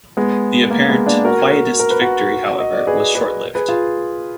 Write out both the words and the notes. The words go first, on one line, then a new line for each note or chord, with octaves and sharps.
The apparent Quietist victory, however, was short-lived.
G#3 B3
A#3
G#3 B3
A#3 D4
F#4 A#4
A#4
B4
F#4 A#4
D#5
D5
G#4 B4
G#4 B4
G#4 B4
F4 G#4